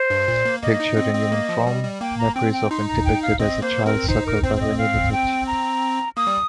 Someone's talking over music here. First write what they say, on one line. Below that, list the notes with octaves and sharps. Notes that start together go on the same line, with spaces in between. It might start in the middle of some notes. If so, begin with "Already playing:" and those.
Pictured in human form, Nepri is often depicted as a child suckled by Renenutet.
Already playing: C5
G2
A#2
A#3
A#3 D#5
D#4
C4
C4
A#3
F3
G3
G3
A#3 G5
A#5
C4 G5
G5
D#4 C6
A#5
G5
F5
C4 D#5
A#3 C5
C4 A#4
D#4 C5
A#4
C4 C5
C5
D#5
F5
G5
A#5
A#3 D#6
G3